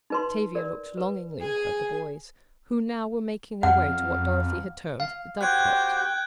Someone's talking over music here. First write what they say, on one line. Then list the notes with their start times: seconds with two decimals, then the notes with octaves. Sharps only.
Tavia looked longingly at the boys, who now were making their way to what Dorothy had termed the Dove Cote.
0.10 D#4 B4 C6
0.55 A#4 D5
0.97 B4
1.41 G#4 G#5
3.63 F2 F5 F#5
5.00 F5
5.41 F#4 G4 C5 G5 F#6 G#6